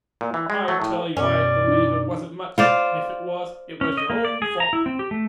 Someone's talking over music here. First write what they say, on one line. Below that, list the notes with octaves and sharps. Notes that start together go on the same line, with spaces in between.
I tell you I believe it wasn't much, and if it was, it was your own fault.
A#2
E3
G#3
F#3 A3
A2
F#2 B2 C#4 D5
D4 D#4
F4 C5 D5
C#4
D#5
A#3
D5
G#4
A#5
E4
C4
G4
A3